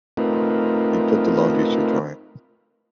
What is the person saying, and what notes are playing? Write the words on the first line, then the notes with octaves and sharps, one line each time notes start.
We put the laundry to dry.
A3 C4 D#4 F4 A#4 B4